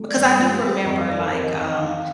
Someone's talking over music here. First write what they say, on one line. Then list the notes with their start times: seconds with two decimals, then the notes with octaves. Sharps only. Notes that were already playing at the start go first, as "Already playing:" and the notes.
because I do remember, like, um,
Already playing: A3
0.08 D5
0.16 G2
0.24 C5
0.39 A3 F4
0.50 G4
0.61 G2 C5
0.74 D5
0.85 F2 D#5
0.97 F5
1.08 D#3 D5
1.19 A#4
1.31 F2 C5
1.43 D#5
1.53 F2 D#5
1.66 D#5
1.77 D#3 F5